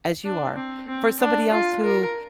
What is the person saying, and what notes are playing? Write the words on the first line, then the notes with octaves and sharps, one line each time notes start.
as you are, for somebody else who
D4
C4
C4
D4
F4
A#4